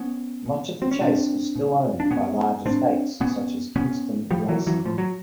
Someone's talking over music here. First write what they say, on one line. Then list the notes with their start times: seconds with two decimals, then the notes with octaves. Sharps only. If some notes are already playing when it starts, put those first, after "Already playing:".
Much of the Chase is still owned by large estates such as Kingston Lacy.
Already playing: B3 C#4
0.46 A#2
0.82 C4
0.91 C#4
1.01 B2 C4 D4
1.56 A#2
2.00 D4
2.11 A#2 B3 C#4
2.65 A2 C4 D4
3.20 A#2 B3 C#4
3.76 A#2 B3 C#4
4.31 A2 F3 G3
4.48 E3 F#3
4.67 E3 F#3
4.85 A2 F3
4.98 F#3